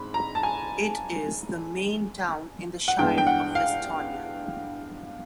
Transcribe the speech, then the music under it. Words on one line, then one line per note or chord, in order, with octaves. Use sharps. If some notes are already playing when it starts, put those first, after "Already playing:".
It is the main town in the Shire of Westonia.
Already playing: G#2 C4 B5
A#5
A5
G#5
F#5
G2 E3 G#3 B3 G5
G5
F#5
F5